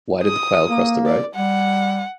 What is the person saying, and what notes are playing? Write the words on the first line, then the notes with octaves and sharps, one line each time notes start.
Why did the quail cross the road?
D#6
A#3
D5
G3 F#5